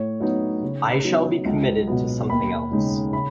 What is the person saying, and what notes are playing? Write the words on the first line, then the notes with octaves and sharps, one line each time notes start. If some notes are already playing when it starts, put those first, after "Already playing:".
I shall be committed to something else.
Already playing: A2 C#5
F#3 B3 D#4 C#5
C#3
F#3 B3 D#4
C#2
B2 F#3 B3
D#2 B5
C#3 G#3 D#4
C#3 B5